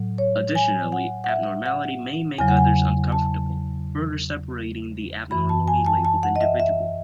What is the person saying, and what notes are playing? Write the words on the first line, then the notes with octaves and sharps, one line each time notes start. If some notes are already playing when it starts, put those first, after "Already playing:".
Additionally, abnormality may make others uncomfortable, further separating the abnormally labelled individual.
Already playing: A2 F#3
C#5
G#5
F#5
F#5
E5
F#5
E2 C#3 F#3 G#5
F#5
G#5
A5
F#2 E3 B5
A5
G#5
A5
A5
F#5
D#5
E5
E5